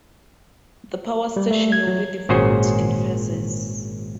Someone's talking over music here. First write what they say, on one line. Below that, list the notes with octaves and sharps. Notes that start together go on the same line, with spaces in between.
The power station will be developed in phases.
G3
A3
G#6
F#3
G#1 A#2 C#4 F#4 G#4 C5